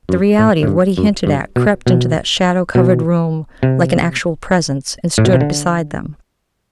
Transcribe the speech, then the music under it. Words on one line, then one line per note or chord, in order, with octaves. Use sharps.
The reality of what he hinted at crept into that shadow-covered room like an actual Presence and stood beside them.
F#2
A2
A2
G2
F#2
G2
B2
B2
B2
C3
A2
B2
C3
D3